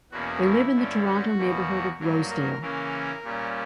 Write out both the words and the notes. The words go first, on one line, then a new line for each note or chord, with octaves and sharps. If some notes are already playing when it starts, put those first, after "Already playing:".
They live in the Toronto neighbourhood of Rosedale.
E2 B2 A#3 C#4 F#4
E4
G2 D3 G3 C#4
F#4
E2 B2 A#3
G2 F#3 A#3 A#4
A#4
C#3 E3 A#3 C#4 A#4
A#2 G3 A#3 C#4